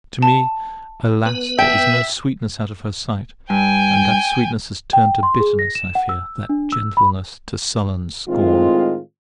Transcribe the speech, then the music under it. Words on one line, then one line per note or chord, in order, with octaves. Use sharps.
To me, alas! there is no sweetness out of her sight, and that sweetness has turned to bitterness, I fear; that gentleness to sullen scorn!
A5
B3 B4
E5 G5
G2 G5 G#5
G5
C6
G#4
A#6
E7
F#5
E6
D4
E6
B5
A2 D#3 G#3 C4 F4